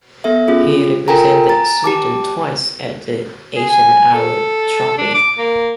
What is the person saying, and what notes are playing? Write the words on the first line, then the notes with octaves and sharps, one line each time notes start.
He represented Sweden twice at the Eisenhower Trophy.
B3 A4 E5
C#4 F4 G#4
F4 A4 A#4 G5 G#5 A#5
G#5 A#5 A6
G4 A5 D6
G#4
G#5
A4
D4
D6
A#3